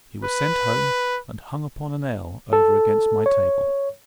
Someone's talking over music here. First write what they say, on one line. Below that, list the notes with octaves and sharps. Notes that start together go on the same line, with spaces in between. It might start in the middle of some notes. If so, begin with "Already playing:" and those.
He was sent home, and hung upon a nail over against my table.
B4
A4
C#5